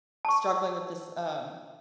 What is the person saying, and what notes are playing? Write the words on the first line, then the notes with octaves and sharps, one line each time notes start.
Struggling with this, um,
A5 C#6